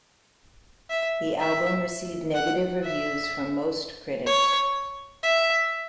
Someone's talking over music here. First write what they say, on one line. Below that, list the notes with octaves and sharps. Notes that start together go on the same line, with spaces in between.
The album received negative reviews from most critics.
E5
E5
F#5
E5
C#5
E5